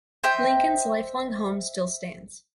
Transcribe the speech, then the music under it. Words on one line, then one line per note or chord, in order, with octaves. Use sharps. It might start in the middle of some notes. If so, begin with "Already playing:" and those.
Lincoln's lifelong home still stands.
C5 D#5 E5 G5